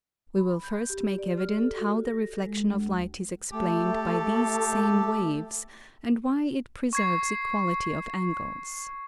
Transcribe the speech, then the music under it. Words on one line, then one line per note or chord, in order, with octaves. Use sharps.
We will first make evident how the Reflexion of light is explained by these same waves, and why it preserves equality of angles.
B5
G6
G4
D5
F6
A4
F#4
A#6
G#3
D2
A3 G4 A4
C#6 G#6 C7